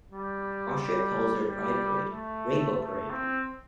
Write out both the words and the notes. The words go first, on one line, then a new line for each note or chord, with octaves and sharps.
Austria calls their Pride Parade "Rainbow Parade".
G3
G3
G3
A3
A3
C4